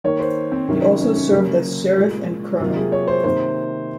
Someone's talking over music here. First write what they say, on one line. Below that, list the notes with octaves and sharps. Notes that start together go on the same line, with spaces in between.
He also served as sheriff and coroner.
D#3 A#3 C#5
C5
C4
C3 D#3 F#3 C#4
C#4
C#4
C#3 F#3 A#3 C#4
A#2 G#3
C3 F#3 A#3 F4
G#4
C#5
C5
C3 D#3 A#3 C5